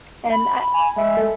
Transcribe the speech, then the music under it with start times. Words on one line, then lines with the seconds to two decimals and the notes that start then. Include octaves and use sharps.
and I
0.33 B5
0.74 G#5
0.97 G#3 E5
1.17 A4